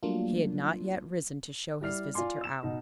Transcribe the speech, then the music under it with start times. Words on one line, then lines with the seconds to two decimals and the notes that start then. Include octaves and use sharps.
He had not yet risen to show his visitor out.
0.03 F#3 G3 A3 A#3 D4 F4
1.81 G3 E4 D5 F6 C7
2.14 F4 D5 G#5 C6 D6
2.41 E6 E7
2.63 B2 D#4